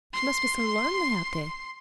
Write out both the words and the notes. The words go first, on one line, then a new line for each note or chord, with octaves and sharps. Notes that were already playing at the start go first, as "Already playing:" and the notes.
She must be so lonely out there.
C6 C7